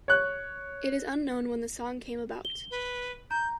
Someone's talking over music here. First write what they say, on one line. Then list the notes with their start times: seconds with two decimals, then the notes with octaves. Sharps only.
It is unknown when the song came about.
0.08 C#5 F#6
2.45 G7
2.71 B4
3.31 A#5 G6